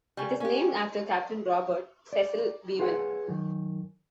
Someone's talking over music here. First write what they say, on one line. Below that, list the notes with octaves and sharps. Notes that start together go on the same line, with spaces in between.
It is named after Captain Robert Cecil Beavan.
C#3 G3
C#4 G4
D5
F4 G#4 B4 C#5 F#5
F#2 D#3